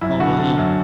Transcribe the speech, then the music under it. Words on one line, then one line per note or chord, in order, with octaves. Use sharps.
Oh, wow.
F#2 E4
D3 F#4
D3
F#2